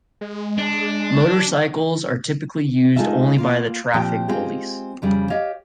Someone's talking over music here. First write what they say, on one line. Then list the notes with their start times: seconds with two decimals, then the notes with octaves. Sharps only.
Motorcycles are typically used only by the traffic police.
0.21 G#3
0.58 D4
2.96 G#3 D#4 F4 G#4 A4 E5
3.38 A#3 F4
3.93 A#2 F3 C4 G4 G5
4.28 G#3 C4 F4 G4 G#4
5.02 F2 C#3 G3
5.30 G4 C#5 D#5 F5